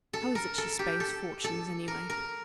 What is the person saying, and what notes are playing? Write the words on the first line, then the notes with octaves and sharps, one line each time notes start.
How is it she spaes fortunes any way?
A4
A#4
A4
G4
A4
A4
A#4
A#4